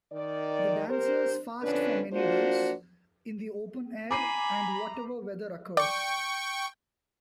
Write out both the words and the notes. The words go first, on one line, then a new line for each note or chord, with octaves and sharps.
The dancers fast for many days, in the open air and whatever weather occurs.
D#3 D5
G4 A#4 C5
F2 D3 C#4 D4 B4
A#3 D4 F4 F#4 C5
G#5 A#5 B5 D6 C7 D#7
D5 G5 C#6